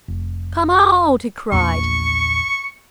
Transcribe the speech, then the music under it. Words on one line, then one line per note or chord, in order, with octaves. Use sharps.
"Come out!" he cried.
F1
A#1 E2 A#3 C#6